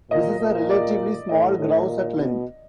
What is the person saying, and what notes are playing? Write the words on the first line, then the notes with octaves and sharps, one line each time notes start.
This is a relatively small grouse at length.
A#2 D#5
A#2
D5
A2 D#5
A2
A#2
B2